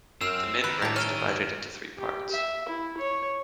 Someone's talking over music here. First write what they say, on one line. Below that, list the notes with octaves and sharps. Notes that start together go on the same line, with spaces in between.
The midbrain is divided into three parts.
F#2 C4 C5 E6 F6 E7
D#3 B4
A2 G3 D4 A#5 A6
C#4 F6 D#7 G7
G4
E5
E4
C#5